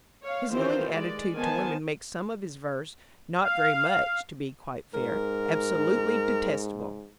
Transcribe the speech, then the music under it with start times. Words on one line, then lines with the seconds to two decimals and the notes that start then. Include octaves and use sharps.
His knowing attitude to women makes some of his verse--not very much, to be quite fair--absolutely detestable.
0.23 C#5 F5
0.52 D#3 E3 C4 F4 G4 C5
0.94 G#3 D5
1.34 D#3 B3 C5 G#5 A5
3.44 F5
4.94 G#2 A#4